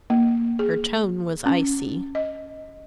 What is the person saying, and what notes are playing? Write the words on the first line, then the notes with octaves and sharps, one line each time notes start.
Her tone was icy.
A#3
G#4
C#4
D#5